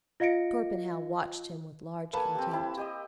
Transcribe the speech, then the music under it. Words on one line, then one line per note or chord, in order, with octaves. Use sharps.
Torpenhow watched him with large contempt.
F4 D#5 F5 A#6 C#7 D7
A#3 A4 B4 G#5 A5
C4 G4
C4 E4
G4 D#5 D#6